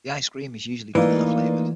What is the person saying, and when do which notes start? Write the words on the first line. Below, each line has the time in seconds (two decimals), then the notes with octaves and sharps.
The ice cream is usually vanilla flavoured.
0.95 E3 A3 A#3 D#4 F4 B4 D5 F5